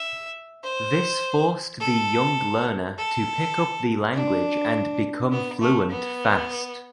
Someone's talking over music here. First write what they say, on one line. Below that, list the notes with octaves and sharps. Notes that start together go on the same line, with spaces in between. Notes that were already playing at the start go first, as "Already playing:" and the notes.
This forced the young learner to pick up the language and become fluent fast.
Already playing: E5
C5
A4
A4
D4
B3
A3
B3